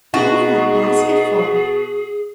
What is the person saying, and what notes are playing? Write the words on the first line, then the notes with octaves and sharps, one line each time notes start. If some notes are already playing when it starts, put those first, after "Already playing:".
"All that basketful!"
B2 D#4 F#4 G#4